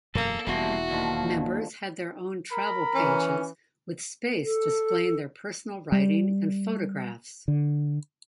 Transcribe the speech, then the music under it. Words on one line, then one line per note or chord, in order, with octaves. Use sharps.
Members had their own travel pages with space displaying their personal writing and photographs.
E1 F#2 B2 A#3 A4
E1 E3 G3 A#3 B3 F#4 A5 C6
D#2 D3 D#3 F3
A#4 A#5 B5
E3 C#4
A4
G3
D3